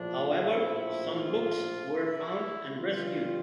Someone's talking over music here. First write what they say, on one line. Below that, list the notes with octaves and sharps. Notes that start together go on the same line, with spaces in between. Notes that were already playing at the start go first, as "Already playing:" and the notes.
However, some books were found and rescued.
Already playing: A#1 A2 F3 D4
E4
F4
E4
G1 G2 F3 F4